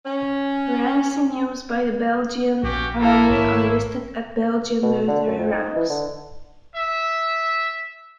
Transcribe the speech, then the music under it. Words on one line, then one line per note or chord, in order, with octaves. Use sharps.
Ranks in use by the Belgian Army are listed at Belgian military ranks.
C#4
A#1 C#4 F#4 G4
A#3 E4 A4 A#4
G#1 C#5 E5
B2
D3
F#2
F2
D#4
E3
D3
E5